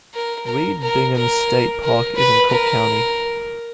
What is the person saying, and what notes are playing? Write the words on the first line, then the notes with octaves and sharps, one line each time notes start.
Reed Bingham State Park is in Cook County.
A#4
A#4
A#4
A#4
A#4
B4
A#4